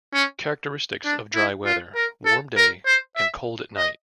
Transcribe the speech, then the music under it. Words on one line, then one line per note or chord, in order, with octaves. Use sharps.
Characteristics of dry weather, warm day and cold at night.
C#4
D4
E4
F4
A#4
A4
A#4
C5
E5
D#5